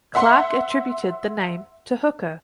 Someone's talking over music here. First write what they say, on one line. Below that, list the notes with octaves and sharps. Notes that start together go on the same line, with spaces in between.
Clarke attributed the name to Hooker.
E5 F#5 C6